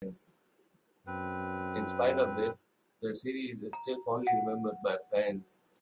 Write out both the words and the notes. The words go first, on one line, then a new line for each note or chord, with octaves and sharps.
In spite of this, the series is still fondly remembered by fans.
F#2 C4 B4
A#5
F#5